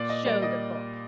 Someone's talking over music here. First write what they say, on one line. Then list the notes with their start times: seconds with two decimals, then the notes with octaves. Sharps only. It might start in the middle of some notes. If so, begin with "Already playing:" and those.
"Show the book."
Already playing: A#2 D5
0.10 D#5
0.25 G3 A#3 D5
0.42 D#5